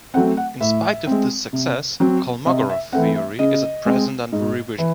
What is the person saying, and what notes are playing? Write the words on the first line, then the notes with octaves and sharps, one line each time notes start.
In spite of this success, Kolmogorov theory is at present under revision.
F#3 A3 C4 F#5
F#5
A2 E5
G#3 C4
C3
F#3 C4
C3 D#5
E5
E3 A3 C4 F#5
E5
C#3 D#5
G#3 C4
G#2
E3